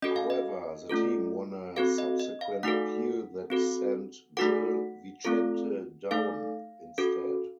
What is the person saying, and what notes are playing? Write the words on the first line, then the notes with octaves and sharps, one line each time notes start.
However, the team won a subsequent appeal that sent Gil Vicente down instead.
C#4 F#4 A4 D#5
F5
D#5
A3 C#4 F4 A4
C4 F#4 A4 F5
D#5
D#5
F5
A3 D#4 F#4 A4 F#5
C4 F#4 A4
A3 D#4 F#4 A4 F#5
A3 C4 F4 A4
A3 D#4 A4 F5
C#4 F#4 A4